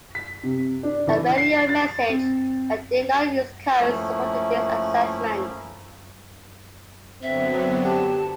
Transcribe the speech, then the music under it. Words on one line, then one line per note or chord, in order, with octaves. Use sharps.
A radio message that did not use codes supported this assessment.
B6
C3
D4
E3
C7
A6
C4
F3 A3 A#3 C#4 E4
D3 F#3 B3 C4 E5
G4 A5